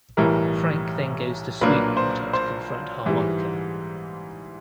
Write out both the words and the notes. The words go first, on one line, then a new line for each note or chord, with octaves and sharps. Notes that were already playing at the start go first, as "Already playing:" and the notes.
Frank then goes to Sweetwater to confront Harmonica.
B1 A2 E3 G3 A#4
B1 A#2 F#3 A#3 D4 B4
C5
C5
G#2 E3 G3